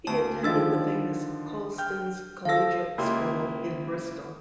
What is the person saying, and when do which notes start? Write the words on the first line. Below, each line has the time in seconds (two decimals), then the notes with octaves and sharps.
He attended the famous Colston's Collegiate School in Bristol.
0.07 D2 A5
0.43 D3 D#3 F3 D4 E6 A6
1.78 G5 F6 G6
2.45 F3 A4 F5 E6 A#6
2.98 C#2 A#3 E4 G4 C6